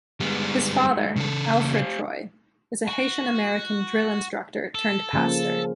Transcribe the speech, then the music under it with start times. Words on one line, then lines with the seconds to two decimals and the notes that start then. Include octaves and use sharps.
His father, Alfred Troy, is a Haitian-American drill instructor turned pastor.
0.20 G2 G3 G#3 B3
1.16 C#3 A4
1.61 E3 A3 A#3
1.75 G4 C5 F5
2.88 F#4
4.75 A4
5.13 C#3 F3 A#3